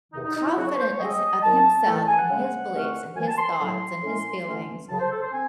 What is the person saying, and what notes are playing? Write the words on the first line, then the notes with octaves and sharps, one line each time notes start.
confident as of himself, and his beliefs, and his thoughts, and his feelings
E2 C3 D#3 D#4
D#4
D#4
E4
C#3 F#3 C4 F#4
C#5
C5
C#5
C#3 G#3 C4 D#5
C3 D#3 F#3 A5
A2 E3 A3
A5
G#5
F#5
C#3 G#3 C#4
E2 C3 D#3 A3 C#4
F#2 E3 C4 G#5
A5
C6
C6
A2 F#3 C#4 C6
A2 G#3 C#4
A2 E3 A3 C#4
F#2 C#3 F#3 A5
C5
A4
C5
C4 G#5